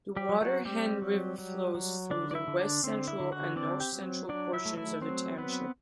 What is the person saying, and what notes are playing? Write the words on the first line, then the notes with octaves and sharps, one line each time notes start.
The Water Hen River flows through the west-central and north-central portions of the township.
G3 G4
F#3
F#3 F#4
G3 C4 G4
F#3
F#3
F#3
D3 D4 D5
D5
E4 E5
D3
D4 D5
D3 C4 C5
E4 E5
D3
F#4 F#5
C4 D4 D5
G4 G5
F#3
F#3 D4 D5
E4 E5
A3
E4 E5
F#3 C4 C5
B3 C4 B4